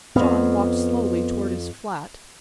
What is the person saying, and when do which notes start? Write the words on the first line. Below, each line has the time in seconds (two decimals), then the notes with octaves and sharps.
John walked slowly toward his flat.
0.16 F2 G#2 B3 F5